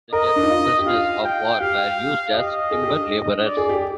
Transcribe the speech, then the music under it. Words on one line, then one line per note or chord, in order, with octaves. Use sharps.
The German Prisoners of War were used as timber laborers.
A#4 D#5
D4
D#4
F4
G4
F4 F5
G5
G4 F5
G4 D#5
G#4
G4
D4
D5
G#4
G4